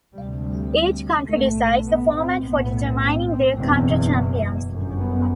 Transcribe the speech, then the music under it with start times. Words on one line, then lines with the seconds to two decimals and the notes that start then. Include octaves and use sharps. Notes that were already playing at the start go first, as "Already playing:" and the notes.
Each county decides the format for determining their county champions.
0.13 D2 C3 G3
0.42 G3
1.27 B1 A2 A3
1.84 B3
2.13 C4
2.42 B1 A2 B3
2.98 C4
3.27 C4
3.56 F#1 E2 B2 C4
4.70 G1 F#2
4.99 B3